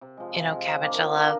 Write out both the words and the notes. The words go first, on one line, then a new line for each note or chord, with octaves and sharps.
you know, cabbage. I love
C3
F3 G#3
C3
F3 G#3
F3
A#3 D4
F3
A#3 D4